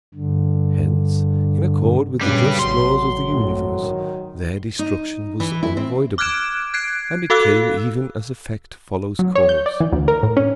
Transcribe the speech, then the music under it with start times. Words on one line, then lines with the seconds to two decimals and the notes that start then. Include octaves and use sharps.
Hence in accord with the just laws of the universe their destruction was unavoidable, and it came even as effect follows cause.
0.15 G2 D3
2.21 F#2 A#2 C#3 G3 C#4 B4
2.59 A1 F#3 C6
3.29 G#1 F#2 A2
3.81 D#3
4.79 D#4
5.40 E3
5.63 E4
5.77 C4
6.18 D6 F6 F#6 G#6 D7 E7
6.74 F#6 G#6 C7 D7
7.30 F#4 A4 F5 E6 F#6
9.19 F#3
9.35 C#5
9.49 G6
9.66 D5
9.80 E3
9.92 D2
10.08 A#4
10.23 A2
10.37 C#4